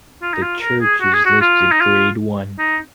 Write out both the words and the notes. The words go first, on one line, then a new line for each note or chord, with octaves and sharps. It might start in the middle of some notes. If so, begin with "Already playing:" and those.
The church is listed Grade One.
F4
D#4
F4
A#4
G#4
F#4
G#4
F#4
F4
D#4
F4
D#4